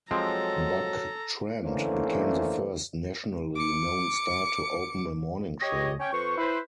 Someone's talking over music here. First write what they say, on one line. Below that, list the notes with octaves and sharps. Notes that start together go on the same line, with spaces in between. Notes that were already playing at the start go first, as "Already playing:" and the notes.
Buck Trent became the first nationally known star to open a morning show.
F3 F#3 G#3 C4 A4 A#5
D3 E3 A3 A#3 C#4 C5
D6 C#7
G4 C#5 D#5
C#4 C#5 G5
F2 B4 C5 C#6
E4 B4 C5